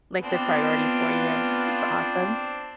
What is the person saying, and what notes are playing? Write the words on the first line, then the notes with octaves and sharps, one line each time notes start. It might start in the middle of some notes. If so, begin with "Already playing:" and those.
Like the priority for you. That's awesome.
B3 C4 D4 F4